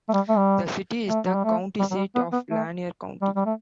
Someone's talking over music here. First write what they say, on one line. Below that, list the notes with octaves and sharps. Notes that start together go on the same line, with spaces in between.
The city is the county seat of Lanier County.
A3
G3
A3
G3
A3
F#3
G3
A3
G3
F#3
G3
B3
B3
A3
G3
G3
A3